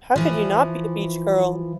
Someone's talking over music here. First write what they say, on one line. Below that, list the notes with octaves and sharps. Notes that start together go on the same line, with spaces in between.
How could you not be a beach girl?
E3 F3